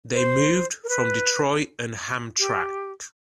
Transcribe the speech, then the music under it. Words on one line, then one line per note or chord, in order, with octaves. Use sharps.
They moved from Detroit and Hamtramck.
C5
A#4
B4
G4